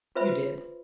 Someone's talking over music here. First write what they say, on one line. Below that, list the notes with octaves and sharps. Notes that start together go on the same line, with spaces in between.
"You did."
F4 B4 C5 E5 B5 C6